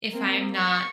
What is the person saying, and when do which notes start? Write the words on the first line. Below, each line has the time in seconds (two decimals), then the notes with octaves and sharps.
if I'm not
0.12 A#3 C4
0.55 C#6